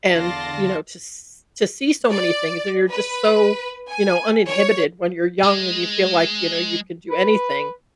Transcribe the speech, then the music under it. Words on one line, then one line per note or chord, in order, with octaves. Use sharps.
and, you know, to s to see so many things, and you're just so, you know, uninhibited when you're young, and you feel like, you know, you could do anything,
E2 D3 D5 F5 A5 C6 A#6
D5
B4
G#5
C#5
G#3
B4